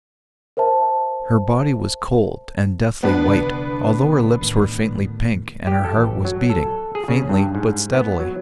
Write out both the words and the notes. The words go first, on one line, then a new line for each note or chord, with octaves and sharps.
Her body was cold, and deathly white, although her lips were faintly pink, and her heart was beating, faintly but steadily.
A#4 C5 E5 A5
B3 D4 B4
C2 D3 E3
D2 A2 D#3
G4
A4
A1
F#3
A4
G#4
C#3
G2
G#2
B3
F#3